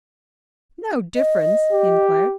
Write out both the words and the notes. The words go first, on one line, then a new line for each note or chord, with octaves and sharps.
"No difference?" he inquired.
D#5
G4